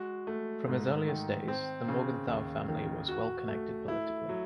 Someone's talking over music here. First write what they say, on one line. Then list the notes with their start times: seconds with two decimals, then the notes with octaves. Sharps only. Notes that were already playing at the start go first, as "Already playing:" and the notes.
From his earliest days, the Morgenthau family was well-connected politically.
Already playing: G#3 F#4
0.27 A3
0.68 G#2
1.08 D#3
1.48 C4
1.88 C#3
2.27 D#2
2.68 D#3
3.08 F#4
3.48 A3
3.88 E4
4.29 F#3